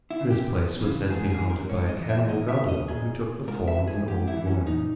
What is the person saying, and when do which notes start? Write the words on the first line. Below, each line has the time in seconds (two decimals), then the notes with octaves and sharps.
This place was said to be haunted by a cannibal goblin who took the form of an old woman.
0.11 E4
0.21 C#3 E3
0.30 G4
0.50 E2
0.81 C#3 E3
1.10 G#2 G#4
1.30 G#4
1.40 E3
1.50 A#4
1.69 G#2 C#5
1.89 D#5
1.99 E3
2.09 E5
2.28 A#2 D#5
2.49 E5
2.69 D#5
2.88 A#2 G#4
3.48 G#2 A#4
3.68 E5
3.78 E3
3.87 G#4
4.08 G#2 G4
4.28 E4
4.37 E3
4.47 C#4
4.67 A#2 D#4